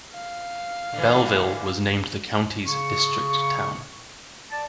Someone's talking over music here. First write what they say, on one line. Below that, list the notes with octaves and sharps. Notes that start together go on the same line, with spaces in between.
Belleville was named the county's District Town.
F5
D3 E3
C#3 C#6
D5 A5